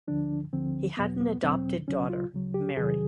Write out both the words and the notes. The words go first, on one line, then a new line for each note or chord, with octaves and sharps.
He had an adopted daughter, Mary.
D2 D3 F3 D4
D2 D3 F3 C4
E2 B2 F#3 B3
B3
E2 B2 F#3 C4
D2 C#3 F#3 C#4
F4
D2 C#3 F#3
G4
E2 C3 D#3 F#3 G#4